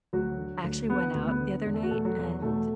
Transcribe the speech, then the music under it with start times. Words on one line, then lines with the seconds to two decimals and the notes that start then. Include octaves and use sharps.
actually went out the other night, and
0.13 D2 F#3 F#4
0.38 D3
0.64 D2
0.89 D3 B3
1.14 D2
1.27 B3
1.40 D3
1.66 E2
1.74 A4
1.83 F#4
1.91 B2 A3 A4
2.05 F#3 F#4
2.18 E2
2.42 B2 A3 A4